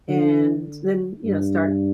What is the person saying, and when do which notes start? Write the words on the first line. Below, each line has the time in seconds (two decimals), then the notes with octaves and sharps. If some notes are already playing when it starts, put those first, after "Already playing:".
and then, you know, start
0.09 D3
1.25 G2